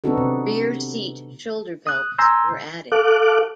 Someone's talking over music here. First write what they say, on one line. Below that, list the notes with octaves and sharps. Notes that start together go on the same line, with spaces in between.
Rear seat shoulder belts were added.
B3 C4 D4 D#4 F#4 A4
C3
D#6 F#6
G#5 A#5 C6 E6 G6
A4 F5 D6 F#6